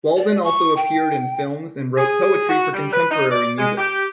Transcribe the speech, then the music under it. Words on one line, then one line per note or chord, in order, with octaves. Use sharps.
Walden also appeared in films and wrote poetry for contemporary music.
D5
C#6
G5
G#4
F#4
G3
B4
D#4
D5
G#3
G4